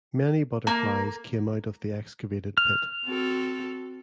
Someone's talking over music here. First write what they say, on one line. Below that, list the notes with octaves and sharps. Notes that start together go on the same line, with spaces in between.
Many butterflies came out of the excavated pit.
A#3
F6
C4 F#4 A4